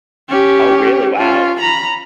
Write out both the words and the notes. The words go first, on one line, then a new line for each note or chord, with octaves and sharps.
Oh really? Wow.
C#4 G4
C#4 F4
A#5 B5